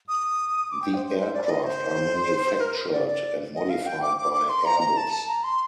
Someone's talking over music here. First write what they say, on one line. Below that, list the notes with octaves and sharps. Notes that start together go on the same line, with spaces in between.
The aircraft are manufactured and modified by Airbus.
D#6
D6
G5
C5
C5
C5
D5
D5
D#5
C5
A#4
C5
D5
D5
D#5
F5
G5
D6
D6
D6
C6
A#5
A#5
A5
A5
A#5
C6